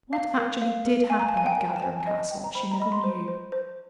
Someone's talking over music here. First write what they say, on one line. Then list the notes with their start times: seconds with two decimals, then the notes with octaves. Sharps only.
What actually did happen at Gatherum Castle, she never knew.
0.13 F5
0.37 A#4
0.62 F5
0.86 A#4
1.10 F5 G#5
1.19 A#5
1.29 A5
1.34 F5 G#5
1.46 G5
1.58 A#4
1.76 A5
1.82 C5 G#5
2.00 A5
2.07 D#5
2.19 A5
2.31 G5
2.44 A#5
2.55 C5 B5
2.71 A#5
2.80 D#5 B5
2.92 C6
3.04 C5
3.28 C5
3.52 C5